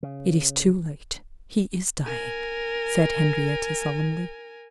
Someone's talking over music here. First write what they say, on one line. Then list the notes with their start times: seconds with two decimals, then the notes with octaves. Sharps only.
"It is too late; he is dying!" said Henrietta, solemnly.
0.03 C#3
2.05 A#4 G#5